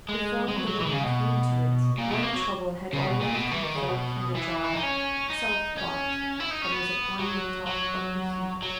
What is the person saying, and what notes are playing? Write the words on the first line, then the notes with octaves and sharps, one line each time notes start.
Before the women came to it one Trouble had already come forth from the jar--Self-thought that was upon the top of the heap.
G#3
G#3
F#3
F#3
E3
D#3
C#3
B2
A#2
B2
A#3
F#3
C#3
B2
A#2
B2
E3
D#3
C#3
B2
E3
E4
D#4
C#4
D#4
C#4
E4
D#4
C#4
B3
F#3
F#3
F#3